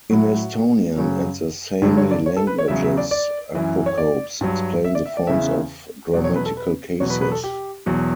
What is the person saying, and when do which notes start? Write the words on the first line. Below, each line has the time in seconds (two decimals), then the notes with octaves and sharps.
In Estonian and the Sami languages, apocopes explain the forms of grammatical cases.
0.10 A2 F#3 F#4
0.97 F#2 C#3 F#3
1.82 G2 D3 F#3 D4
1.97 C#5
2.11 D5
2.26 C#5
2.37 A4
2.47 B4
2.58 C#5
2.68 E2 C#3 F#3 E5
2.83 E5
2.97 D5
3.11 D5
3.55 F#2 E3
3.86 C#5
3.98 D5
4.41 G2 F#3
4.85 E5
4.95 D5
5.06 E5
5.17 D5
5.27 E2 C#3 E3 E5
6.13 E2 B2 F#3 D5
6.24 C#5
6.36 B4
6.46 A4
6.57 B4
7.00 E2 B2 F#3 C#5
7.10 B4
7.21 B4
7.32 A4
7.44 G4
7.86 E2 B2 F#3